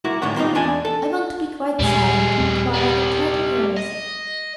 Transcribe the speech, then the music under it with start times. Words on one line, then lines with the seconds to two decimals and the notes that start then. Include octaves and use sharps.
I want to be quite silent and quiet and try to realize it.
0.04 A#3 E4 F#4
0.22 A2 D3 D#3 C#4 C#5 F#5
0.36 A#3 C4 C#4 D#4 F4
0.55 E2 D4 D5 G#5
0.85 A4
1.79 D#2 A#2 G3 G#3 G#4
2.38 D#1 C4
2.74 C3 G3
3.77 D#5